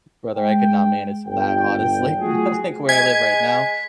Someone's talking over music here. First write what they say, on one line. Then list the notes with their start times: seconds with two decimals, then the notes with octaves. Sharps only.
"Brother, I could not manage that honestly." But like where I live right now,
0.37 G#3 G5
1.27 G1 G5
2.20 F#3 A3 F4 F#4 G#4
2.89 G#3 G#5 G#6 B6